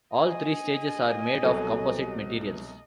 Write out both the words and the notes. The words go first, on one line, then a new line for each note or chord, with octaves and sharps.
All three stages are made of composite materials.
D#5 G#5
C2 B2 F#3 A4